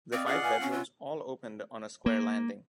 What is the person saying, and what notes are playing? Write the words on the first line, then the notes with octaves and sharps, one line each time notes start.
The five bedrooms all opened on a square landing.
C4 D5 D#5 F5
C#4 F4 G#4 F#5
B4 G#5
C4 C#4
F4 E5 F#5
A#3